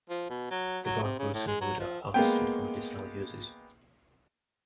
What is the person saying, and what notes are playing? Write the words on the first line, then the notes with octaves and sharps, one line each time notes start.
The bark, roots and wood are harvested for medicinal uses.
F3
B2
F#3
F#3
C3
C#3
A2
G#3
F#3
F3
G#3 A#3 B3 G5